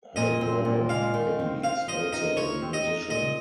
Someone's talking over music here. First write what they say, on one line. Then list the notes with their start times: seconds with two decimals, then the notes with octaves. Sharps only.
Her brother, Eddie, is also a musician.
0.16 A#2 D#5
0.41 C4
0.65 A#2
0.89 G#3 F5
1.14 D#3
1.39 C4
1.63 C4 F5
1.88 F3 D#5
2.13 D#4 D#5
2.37 F3 C#5
2.62 C4
2.73 D#5
2.86 D#4
3.10 A#2 D#5